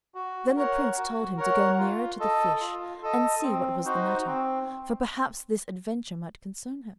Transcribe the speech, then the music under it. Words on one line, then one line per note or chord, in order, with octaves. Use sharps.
Then the Prince told him to go nearer to the fish, and see what was the matter, for perhaps this adventure might concern him.
F#4
A#4 C#5 F#5
F#4
A#4 C#5 F#5
F4
A4 D#5
F4
A4 D#5
C4
D#4 F#4 C5
C4